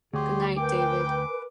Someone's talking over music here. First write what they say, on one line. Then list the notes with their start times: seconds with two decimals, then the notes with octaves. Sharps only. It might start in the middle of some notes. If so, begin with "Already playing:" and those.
Good night, David.
0.13 D2 G4 G#4 C#5 C6
0.57 A#4 B4 G5 G#5 D6